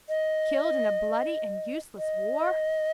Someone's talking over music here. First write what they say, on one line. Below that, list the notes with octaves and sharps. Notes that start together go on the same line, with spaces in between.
Killed in a bloody and useless war!
D#5
D#5